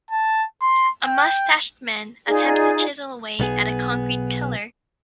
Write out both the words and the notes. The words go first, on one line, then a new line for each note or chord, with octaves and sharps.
A mustached man attempts to chisel away at a concrete pillar.
A5
C6
G5
D#4 F4 G#4 D5
B1 B3 G#4